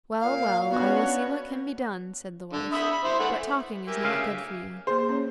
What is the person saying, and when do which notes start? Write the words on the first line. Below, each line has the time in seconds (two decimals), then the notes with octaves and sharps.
'Well, well, I will see what can be done,' said the wife, 'but talking is not good for you.
0.21 A#2 F5
0.70 B3 C#4 D4 F#4 B4 C#5 F#5
2.53 D3
2.73 E5 B5 D#6
2.91 B5
3.04 E4 C5
3.20 E3 A3 F#5
3.88 G4 A#4 E5 G#5
4.04 D2 C#3 F5
4.87 A#3 G#4 C5
5.09 C#4 C#5